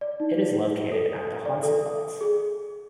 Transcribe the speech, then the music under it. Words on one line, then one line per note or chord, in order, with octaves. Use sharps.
It is located at the Hansaplatz.
D5
D#4
A4
D5
A4
G#4